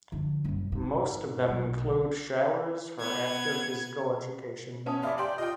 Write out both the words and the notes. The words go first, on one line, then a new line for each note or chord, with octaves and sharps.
Most of them include showers for after Physical Education.
D3 F3
F#1 C2
G#2
B1
B3 G#6
B3 C#4 B4 A5 D#6
F1 D5 E5 F5 B5 D6
G4 D5 G5 G#5 A#5 C6
F4 D#5 G5